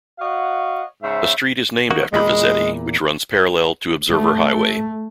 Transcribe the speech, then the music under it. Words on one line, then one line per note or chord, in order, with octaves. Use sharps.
A street is named after Vezzetti, which runs parallel to Observer Highway.
F#4 C#5 D#5 F5 F#5
G#2 C#3 C5 E5
D#3 A#3 F#4
E2 A#2 G#3 B5
A3